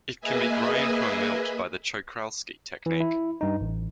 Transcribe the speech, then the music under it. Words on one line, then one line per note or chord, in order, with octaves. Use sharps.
It can be grown from a melt by the Czochralski technique.
A#3 G#4 B4 D#5 E5 G#5
E3
E4
G2 D#4
A1